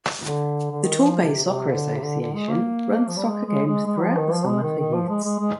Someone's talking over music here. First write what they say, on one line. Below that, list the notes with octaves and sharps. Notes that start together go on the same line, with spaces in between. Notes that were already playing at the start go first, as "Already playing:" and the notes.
The Torbay soccer association runs soccer games throughout the summer for youths.
D3
D3
D#3
F3
C3
C3
D3
C3
D3
D3
G#3
A#3
F3
G3
G#3
G#3
G#3
G#3
F3
D#3
F3
G#3
D#3
D#3
F3
G#3
G#3
G#3